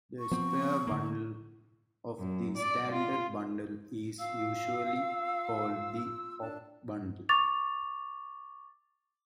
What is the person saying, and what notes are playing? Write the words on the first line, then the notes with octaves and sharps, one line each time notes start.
The sphere bundle of the standard bundle is usually called the Hopf bundle.
C#6
F3 B3 C4
D3 A#3
F#2
D5
F4
F4 F5 E6
D4 A5
C#6 D6 A6 F7